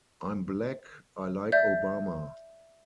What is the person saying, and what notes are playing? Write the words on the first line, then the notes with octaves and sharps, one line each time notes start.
I'm black; I like Obama.
D5 E5 G6